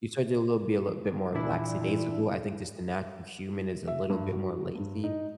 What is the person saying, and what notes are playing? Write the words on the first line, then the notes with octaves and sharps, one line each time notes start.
you start to lil be a little bit more lackadaisical, I think just the natural human is a little bit more lazy
A#2 E3 D4 E4
E5
G2
F#4
G2
D#4